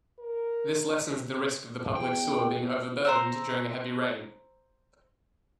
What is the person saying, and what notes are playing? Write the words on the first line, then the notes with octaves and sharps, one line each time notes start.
This lessens the risk of the public sewer being overburdened during a heavy rain.
A#4
E2 G5
C5 A#5 E6